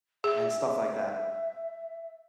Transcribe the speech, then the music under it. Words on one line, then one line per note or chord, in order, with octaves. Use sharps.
and stuff like that.
G#4 E5